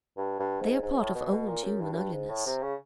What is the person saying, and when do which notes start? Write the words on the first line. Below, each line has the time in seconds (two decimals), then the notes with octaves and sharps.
They are part of old human ugliness.
0.17 G2
0.39 G2
0.61 G#2
0.83 G#2
0.99 A2
1.15 B2
1.32 B2
1.48 A#2
1.64 F#2
1.81 G2
1.92 F#2
1.97 G2
2.13 G#2
2.29 A2
2.46 C3
2.62 C#3